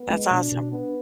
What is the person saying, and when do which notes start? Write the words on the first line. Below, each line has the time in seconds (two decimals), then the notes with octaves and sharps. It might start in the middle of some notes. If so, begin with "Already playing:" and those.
That's awesome.
Already playing: B3
0.10 G#3
0.31 B2 D4
0.52 B2
0.72 B3 D4